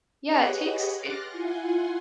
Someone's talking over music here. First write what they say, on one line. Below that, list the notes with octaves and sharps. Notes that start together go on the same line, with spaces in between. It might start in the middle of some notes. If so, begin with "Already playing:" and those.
Yeah, it takes it
G4 G#4 B4 C#5 D#5 F#5
C6 D6 F6 F#6 A6 A#6
E4 F4 F#5 G#5 C6